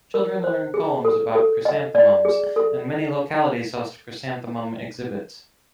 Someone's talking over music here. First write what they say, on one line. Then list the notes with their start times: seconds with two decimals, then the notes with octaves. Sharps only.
Children learn poems about chrysanthemums, and many localities host chrysanthemum exhibits.
0.14 A#4
0.44 C5
0.74 G#4
1.05 A4
1.35 A4
1.65 D#5
1.95 D5
2.25 G#4
2.56 A4